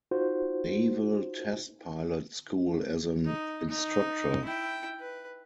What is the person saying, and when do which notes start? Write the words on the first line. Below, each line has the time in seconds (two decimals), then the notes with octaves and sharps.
Naval Test Pilot School as an instructor.
0.11 D#4 F4 F#4 C5
3.25 D#4
3.69 D#4
4.45 E4 G5
4.99 B4